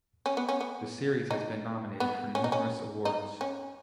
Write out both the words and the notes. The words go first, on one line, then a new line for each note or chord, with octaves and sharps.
The series has been nominated for numerous awards.
C#4
B3
C#4
B3
D#4
B3
C#4
D#4
C#4
D#4
C#4